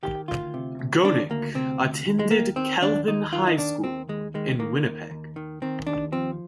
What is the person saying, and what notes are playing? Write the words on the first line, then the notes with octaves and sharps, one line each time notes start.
Gonick attended Kelvin high school in Winnipeg.
D#3 G4
D2 F4
C3
D2
D#3 D4
D2 A#3
C3 C4
D2
D#2
G#3
D#3 A#3
D#3 C4
D#2 D4
D#2 D#4
D#3 F4
D#4
D#3 D4
D#2 C4
D#2 G#3
D#3 G#3
D#3 A#3
D#2
D#2
D#3
D#3 C4
D#2 D4
F3 C4